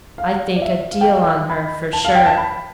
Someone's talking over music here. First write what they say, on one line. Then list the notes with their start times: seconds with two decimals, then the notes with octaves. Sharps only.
I think a deal on her, for sure.
0.18 F5
0.56 D5
0.62 E5
0.91 F5
1.01 G5
1.10 F5
1.20 G5
1.50 B5
1.93 A5
2.05 F5
2.15 G5
2.26 A5
2.37 B5